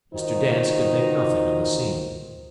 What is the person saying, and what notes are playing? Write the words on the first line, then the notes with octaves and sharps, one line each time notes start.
Mr. Dance could make nothing of the scene.
D#3 D#4 F4 F#4 C5